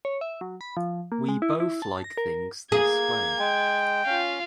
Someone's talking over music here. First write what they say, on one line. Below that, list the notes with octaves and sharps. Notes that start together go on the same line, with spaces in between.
We both like things this way.
C#5
E5
F#3
B5
F3
A#3
G#3
E4
E4
A5
A#6
A#4
A#3 G#4 G#6
G#3 G5
C#4 F4 F5